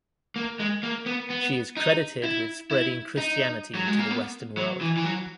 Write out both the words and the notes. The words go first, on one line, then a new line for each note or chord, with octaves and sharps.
She is credited with spreading Christianity to the western world.
A#3
G#3
A#3
B3
B3
D#4
E4
E4
D#4
F#3
G#3
A#3
B3
F#3
E3
E3
F#3